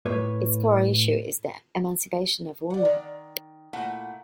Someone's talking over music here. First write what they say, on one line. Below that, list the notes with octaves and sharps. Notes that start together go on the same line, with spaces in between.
Its core issue is the emancipation of women.
A2 B4 C#5
D5 F#5
D#3
A#2 A3 E4 F#5